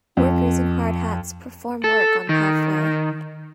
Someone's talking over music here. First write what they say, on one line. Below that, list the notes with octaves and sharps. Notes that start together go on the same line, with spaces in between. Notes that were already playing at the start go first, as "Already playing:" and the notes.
Workers in hard hats perform work on pathway.
F2
A4
D#3